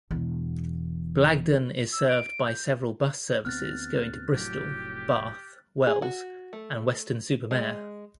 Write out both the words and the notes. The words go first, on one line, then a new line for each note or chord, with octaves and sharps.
Blagdon is served by several bus services going to Bristol, Bath, Wells and Weston-super-Mare.
E1 E2
E6
D7
G6
D2 B3 C4 F6 F#6 A6
F1 A2 F#3 G4
G#4
F#4
A3
G#3